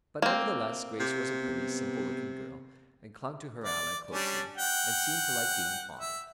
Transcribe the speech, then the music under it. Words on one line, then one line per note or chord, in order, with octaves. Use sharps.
But, nevertheless, Grace was a pretty, simple-looking girl, and clung to her ally closely, and seemed to like being fondled.
A#3 C4
C3
B3
D5
G3 C#4 D4
F#5 G5
E5